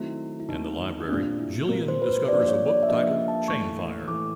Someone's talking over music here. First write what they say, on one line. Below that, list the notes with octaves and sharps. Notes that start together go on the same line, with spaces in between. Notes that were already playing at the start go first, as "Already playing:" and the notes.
In the library, Jillian discovers a book titled Chainfire.
Already playing: D#3 F#3 A3 C4 E4
E4
D#3 F#3 A3 C4 D#4
A#2 G3 C4 D4 F4
E4
A#2 G3 C4 F4 A#4
C5
B4
C5
F3 A#3 D4 G4 B4 D5
C#5
D5
E5
F3 A#3 D4 G4 B4 D#5
E5
A5
A2 E3 A3 C#6
A2 E3 A3 D6